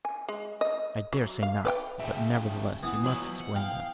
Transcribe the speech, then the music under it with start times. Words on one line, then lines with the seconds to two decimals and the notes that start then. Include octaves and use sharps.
"I dare say not; but, nevertheless, you must explain them."
0.05 G#5
0.28 G#3
0.61 D#5
1.13 F#3
1.43 F5
1.65 B4 D5 G5
2.00 C#3 F3 E5 G5
2.83 E3 B3 D#6
3.03 F3 F#3 G#3 F#7
3.41 F#5
3.56 F5 G5